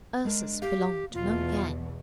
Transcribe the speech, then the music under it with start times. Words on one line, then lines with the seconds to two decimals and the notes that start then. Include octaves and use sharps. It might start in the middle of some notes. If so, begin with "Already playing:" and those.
Ursus belonged to no gang.
0.25 G#3 D4 A#4
0.62 G4 F5
1.14 E2 B2 F4